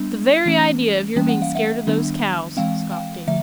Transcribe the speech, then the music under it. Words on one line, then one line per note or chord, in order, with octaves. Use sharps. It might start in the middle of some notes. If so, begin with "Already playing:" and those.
"The very idea of your being scared of those cows," scoffed Davy.
Already playing: G3 B3 D4
E3 A3 C#4
E3 G3 A#3 C#4 G5
F#5
F5
E5 F#5
D#3 G3 B3 D4
E3 G#3 C4 F5 G5
F5 G5
D3 F3 A3 E5